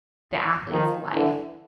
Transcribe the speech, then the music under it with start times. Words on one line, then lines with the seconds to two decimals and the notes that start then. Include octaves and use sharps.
the athlete's life.
0.72 D#3 F3
1.14 D3 E3